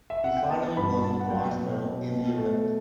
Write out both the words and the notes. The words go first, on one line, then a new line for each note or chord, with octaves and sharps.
He finally won the bronze medal in the event.
E5
F#5
G5
B3 A5
G2 B5
B3 A5
F#5
F#3 G5
B2
B2
B2
A3